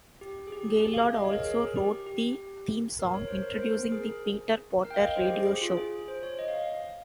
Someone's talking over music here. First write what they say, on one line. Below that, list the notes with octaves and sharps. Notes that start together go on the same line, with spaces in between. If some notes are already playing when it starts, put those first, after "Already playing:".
Gaillard also wrote the theme song introducing the Peter Potter radio show.
G4
G#4
G4
G#4
G4
F5
D#5
C#5
G#4
A#4
G#4
G4
G4
A#4
C#5
C5
A#4
C5
A#4
G#4
A#4
G5
F5
D#5
C5
G4
G#4
G#4
F4
G#4
C5
C#5
D#5
F5
F5
F5